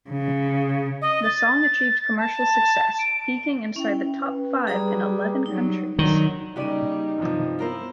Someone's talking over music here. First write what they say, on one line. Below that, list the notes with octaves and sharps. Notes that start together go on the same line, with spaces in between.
The song achieved commercial success, peaking inside the top-five in eleven countries.
C#3
D#5
A6
A5
D7
C#4 E4 G5
B4
G3 G#4 A#5 D#6
F#3 G3 D#4
D#3 F#3 D4
C#3 G3 A#3 D#4 F#4 G4 D5 D#7
G2 C3 F3
B3 E4 F4 A#4 C5